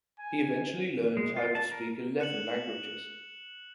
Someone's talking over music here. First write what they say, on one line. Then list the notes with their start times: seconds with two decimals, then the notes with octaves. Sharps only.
He eventually learned how to speak eleven languages.
0.19 G#5
1.17 G#3
1.37 F4
1.55 A5
1.71 A#4
2.20 F#6 C#7 E7 F#7